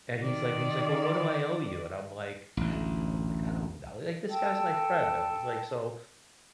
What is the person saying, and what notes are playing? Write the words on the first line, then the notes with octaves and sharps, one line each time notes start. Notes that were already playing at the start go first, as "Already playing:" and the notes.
And, he's like he's like, "Well, what do I owe you?" And I'm like, "I" you know, like, "I don't know," like, this guy's my friend, I was like so,
D#3 D5
A1 D2
A4 G5 A5 E6